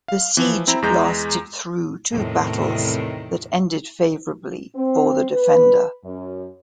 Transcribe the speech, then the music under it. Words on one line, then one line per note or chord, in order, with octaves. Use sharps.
The siege lasted through two battles that ended favorably for the defender.
F5
E3 F3
C4 E4 A#5
E2 G#3 A#5 G6
E2 A2 C3 D#3
C4
B4
F#2